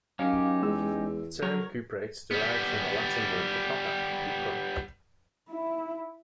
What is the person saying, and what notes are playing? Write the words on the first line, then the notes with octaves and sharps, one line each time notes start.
The term cuprates derives from the Latin word for copper, "cuprum".
F#2 C#4 D#4 G4 F5
E2 G#3 E6
F#3 A#4 C#5
G3 B3
E4